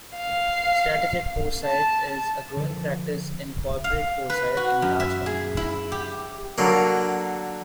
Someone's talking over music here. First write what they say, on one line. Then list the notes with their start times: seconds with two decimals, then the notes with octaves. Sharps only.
Strategic foresight is a growing practice in corporate foresight in large companies.
0.16 F5
1.63 A5
2.57 D3 F3
3.84 F5
4.30 B4
4.57 F#4
4.82 F#2
5.00 E5
5.26 G#4
5.57 E4
5.92 G4
6.58 D3 F#3 A#3